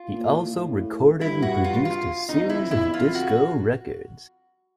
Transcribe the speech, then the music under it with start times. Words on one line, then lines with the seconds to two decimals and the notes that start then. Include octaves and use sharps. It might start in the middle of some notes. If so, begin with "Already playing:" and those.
He also recorded and produced a series of disco records.
Already playing: F4
0.13 A#2
0.35 A2
0.44 A#2
0.53 A2
1.20 G2 E4
1.42 F#4
1.64 F4
1.85 F4
2.28 E2 D#4
2.40 E2
2.49 F2 E4
2.71 E2 E4
2.93 F2 F4
3.15 F#4